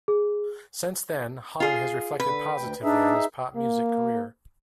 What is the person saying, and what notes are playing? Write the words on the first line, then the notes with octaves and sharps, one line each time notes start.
Since then, Hung has reflected positively on his pop music career.
G#4
F4 G#4
D3 B4
D2 G5
D4 D#4 G#4 E5
A#3